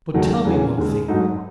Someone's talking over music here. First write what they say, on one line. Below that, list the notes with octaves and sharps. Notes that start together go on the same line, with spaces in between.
But tell me one thing more.
F#1 E2 D#3 F#3 A3
E2 C#3 E3 A3 C#4
D#2 C#3 G#3
G#2 F#3 A3 D#4